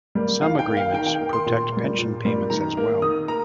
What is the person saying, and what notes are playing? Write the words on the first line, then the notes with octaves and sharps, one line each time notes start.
Some agreements protect pension payments as well.
G3 A#3
D#3 F5
G5
A#3
F5
D#3 G5
G5
A#3
C6
A#2
G3 A#3
A#2
G3 A#3
D#3 A#5
A#3
D#3 D#6
A#3 A#5